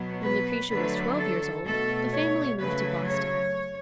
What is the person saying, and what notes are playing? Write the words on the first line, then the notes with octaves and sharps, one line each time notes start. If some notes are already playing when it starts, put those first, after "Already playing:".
When Lucretia was twelve years old, the family moved to Boston.
Already playing: B2 F#3 B3
B4
D3 F#3 A3 B4
A4
B2 A3 A4
C#5
C#3 F#3 A3 B4
C#5